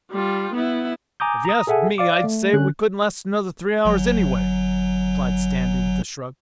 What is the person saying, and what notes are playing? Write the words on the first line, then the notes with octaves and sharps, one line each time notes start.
"If you asked me, I'd say we couldn't last another three hours anyway," replied Stanley with a shrug.
G3 F4
B3 E4
G#5 A#5 D6 D#6 G6
A#5 D#6
G#4 A4 E5 F#5 G#5
D5 F5 D6
A3
D3 C#4 F#6
G1 F#3